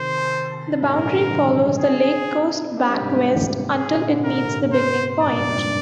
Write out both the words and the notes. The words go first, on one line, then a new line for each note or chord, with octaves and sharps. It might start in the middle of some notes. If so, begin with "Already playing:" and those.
The boundary follows the lake coast back west until it meets the beginning point.
Already playing: C3 D#3 C5
G#2 C3 A#4
A#2 D3
D3 F3
D3 F3
D#3 G3
F3 G#3
F3 G#3
C4 D#4 G#4
A#3 D4 G4
C4
G3 A#3
G#2 C3
G#2 C3
G#4
A#2 D3
D3
C3 A#4
A#2
G#2 C3
C5
G2 A#2 D5
F2 G#2
G2 A#2